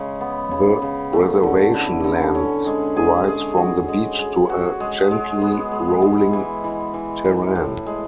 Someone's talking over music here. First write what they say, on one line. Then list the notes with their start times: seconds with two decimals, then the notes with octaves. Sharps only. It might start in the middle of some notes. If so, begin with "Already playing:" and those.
The reservation lands rise from the beach to a gently rolling terrain.
Already playing: C#3 G#3
0.21 B3
0.51 C#3
0.82 C#3
1.13 A3
1.43 D3
1.74 E4
2.04 D3
2.35 C#4
2.66 G#3
2.97 G#4
3.27 G#4
3.57 F#4
3.88 G#3
4.19 G#3
4.50 F#4
4.80 G#3
5.11 G#3
5.41 B3
5.71 G#3
6.02 E3
6.33 E3
6.64 E3
6.94 E3
7.25 E3
7.55 A2
7.86 G#3